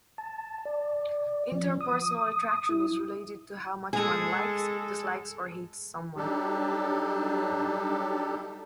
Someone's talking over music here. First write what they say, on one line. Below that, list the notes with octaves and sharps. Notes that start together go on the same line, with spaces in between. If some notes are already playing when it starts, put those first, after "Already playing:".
Interpersonal attraction is related to how much one likes, dislikes or hates someone.
A5
D5
F3
D#6
E4
G#3 G#4 A4
F#3 G3 D4 D#4 G4 A4